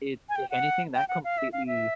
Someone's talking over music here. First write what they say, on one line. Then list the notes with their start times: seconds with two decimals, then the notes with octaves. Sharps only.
it if anything, that completely
0.29 G#5
0.36 G5
0.50 F#5
0.95 G5
1.09 F#5
1.24 F5
1.38 E5
1.52 F5
1.67 E5